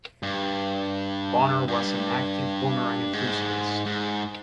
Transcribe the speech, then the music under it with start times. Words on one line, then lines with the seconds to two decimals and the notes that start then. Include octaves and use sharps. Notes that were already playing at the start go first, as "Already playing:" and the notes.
Bonner was an active boomerang enthusiast.
0.23 G2
1.68 G2
3.13 G#2
3.86 G#2